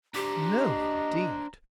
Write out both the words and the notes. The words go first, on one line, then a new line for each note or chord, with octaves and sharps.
"No, indeed!"
D4 G4 C5 A#5
D#5